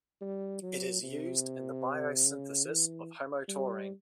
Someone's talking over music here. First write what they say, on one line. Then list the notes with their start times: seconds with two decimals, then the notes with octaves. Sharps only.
It is used in the biosynthesis of homotaurine.
0.21 G3
0.62 F#3
1.03 C3
2.25 C#3
2.67 E3
3.48 G3